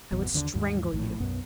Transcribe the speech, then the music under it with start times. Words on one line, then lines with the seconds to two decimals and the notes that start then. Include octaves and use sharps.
"I would strangle you."
0.12 G#1 E2 B2
0.34 D#2 D3 D#3 D4
0.55 D#2 G#2
0.93 A#1 A2
1.20 B1 F#2 B3